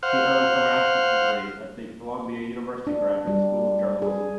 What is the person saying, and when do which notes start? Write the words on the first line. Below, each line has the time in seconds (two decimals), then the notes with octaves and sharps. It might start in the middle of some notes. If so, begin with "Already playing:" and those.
She earned her master's degree at the Columbia University Graduate School of Journalism.
0.03 C5 F5 F#5
2.87 D4
3.27 G3
4.02 G#4